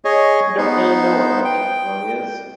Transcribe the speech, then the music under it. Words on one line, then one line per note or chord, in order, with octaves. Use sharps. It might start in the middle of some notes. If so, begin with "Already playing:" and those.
I don't really know what my category is.
G#4 C#5 D#5
B3 D#4 C5
G5